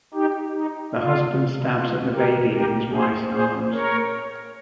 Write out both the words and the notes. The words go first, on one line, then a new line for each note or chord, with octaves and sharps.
The Husband stabs at the baby in his wife's arms.
D#4 G4
D#4
F4
F4
G4 A#4
G4 A#4
G#4 C5
G#4 C5
A#4 C#5